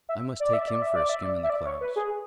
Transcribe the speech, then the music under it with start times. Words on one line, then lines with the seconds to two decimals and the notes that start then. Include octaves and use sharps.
I must take him for a skim in the clouds.
0.09 E5
0.40 D5
0.53 E5
0.68 D5
0.82 E5
0.96 D5
1.09 E5
1.23 D5
1.43 E5
1.50 D5
1.65 C#5
1.81 B4
1.96 G#4